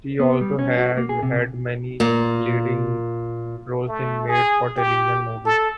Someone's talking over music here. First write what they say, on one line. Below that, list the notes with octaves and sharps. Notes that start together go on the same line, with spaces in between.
She also has had many leading roles in made-for-television movies.
B3
G3
C#4
F#4
A#3
G#4
C3
A#2 A#3
A3
G#4
G4
A4